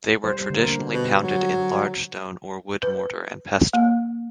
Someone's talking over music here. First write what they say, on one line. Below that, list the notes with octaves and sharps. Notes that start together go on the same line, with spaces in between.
They were traditionally pounded in large stone or wood mortar and pestle.
G3 C5
D3 A#3
B2
F#3
B4
A#3